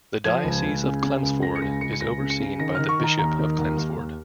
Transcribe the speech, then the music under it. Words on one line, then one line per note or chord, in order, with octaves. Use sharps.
The diocese of Chelmsford is overseen by the Bishop of Chelmsford.
F3 G#6
C#2
C#2
C#3
C#3
C#2
C#3 A#6
C#7
C#2 A#6
C#2 C#7
C#7
C#2 A#6
C#3
C#7
C#3
D#3 A#6
D#3 F6
C#6
D#3 A#5
D#2 A#5
D#3
D#2
D#2
D#2